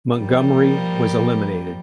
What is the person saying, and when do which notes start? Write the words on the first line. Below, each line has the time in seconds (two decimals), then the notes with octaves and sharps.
Montgomerie was eliminated.
0.18 F3 G3 A#3